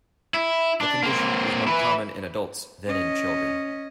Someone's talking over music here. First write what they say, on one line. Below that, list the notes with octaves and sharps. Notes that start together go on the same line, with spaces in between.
The condition is more common in adults than in children.
E4
D4
A#3 C4
E4 B4
C#4 D#5